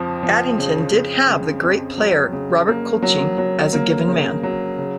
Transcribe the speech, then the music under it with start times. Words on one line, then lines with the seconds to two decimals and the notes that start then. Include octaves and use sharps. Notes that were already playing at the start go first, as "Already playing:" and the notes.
Addington did have the great player Robert Colchin as a given man.
Already playing: F2 F3
0.23 F3
0.58 C#3
0.93 C#3
1.28 C#3
1.63 F2
1.98 F#3
2.32 C#3
2.68 A#3
3.02 F#3
3.38 F#3
3.73 A#3
4.08 C#3
4.43 F#3
4.78 C#3